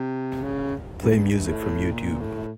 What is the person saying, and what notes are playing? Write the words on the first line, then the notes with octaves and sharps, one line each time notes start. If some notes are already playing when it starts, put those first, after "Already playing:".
Play music from Youtube.
Already playing: C3
C#3
G2
G#2
G2
G2
A2
A#2
A2